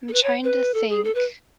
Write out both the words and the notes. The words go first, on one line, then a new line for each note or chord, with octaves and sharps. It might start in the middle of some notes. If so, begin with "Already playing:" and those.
I'm trying to think,
A4
B4
C#5
B4
A4
G#4
A4
B4